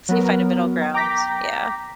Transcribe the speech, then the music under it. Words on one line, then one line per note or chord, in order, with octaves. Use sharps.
So you find a middle ground, yeah.
F#3 B3 A#4
G5 A#5 D6 G6 A#6 B6